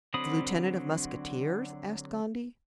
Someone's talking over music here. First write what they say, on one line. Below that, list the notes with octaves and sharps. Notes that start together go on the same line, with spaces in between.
"The lieutenant of musketeers?" asked Gondy.
D3 F#3 C4 B5 D#6